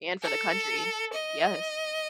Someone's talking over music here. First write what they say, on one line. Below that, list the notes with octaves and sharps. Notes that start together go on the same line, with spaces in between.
and for the country, yes.
A4
D#5